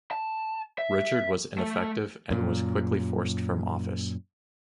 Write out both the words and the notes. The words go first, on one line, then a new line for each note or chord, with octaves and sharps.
Richard was ineffective, and was quickly forced from office.
A5
E5
A3 E5
F#2 A#2